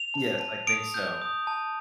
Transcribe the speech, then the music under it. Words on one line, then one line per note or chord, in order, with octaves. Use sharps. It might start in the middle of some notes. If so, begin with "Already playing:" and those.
Yes. I think so.
Already playing: F7
A5
A5
D#6 D7
G6
D#6
A5